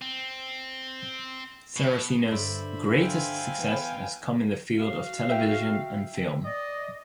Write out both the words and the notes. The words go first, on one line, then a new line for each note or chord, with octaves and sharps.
Saraceno's greatest success has come in the field of television and film.
C4
B2
G2 D3 C5 D5 E5 B5
F5 G5 G#5
E3 B3
F#4 F5
E5 G5
D5 D#5